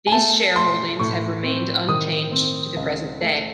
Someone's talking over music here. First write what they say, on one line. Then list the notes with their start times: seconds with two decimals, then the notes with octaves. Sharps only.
These shareholdings have remained unchanged to the present day.
0.07 G#5
0.12 A3 A5
0.56 A3 C6
0.99 A2 C#6
1.43 C4
1.89 D#3 D#6
2.32 C4
2.76 C#2
3.21 A3